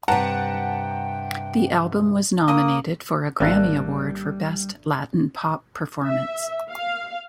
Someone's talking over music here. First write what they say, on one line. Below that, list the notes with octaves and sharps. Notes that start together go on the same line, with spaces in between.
The album was nominated for a Grammy Award for Best Latin Pop Performance.
G2 C3 F#5 G5 A5 A#5
A#3 D#6
G#1 G3 A3 A#3 D4 G4 F5 F#6
E5
F5